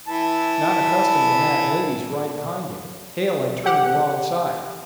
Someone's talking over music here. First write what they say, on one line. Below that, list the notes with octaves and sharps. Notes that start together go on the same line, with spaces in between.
Not accustomed to have ladies ride behind him, Hale had turned the wrong side.
E3 E4 A5
G4 F#5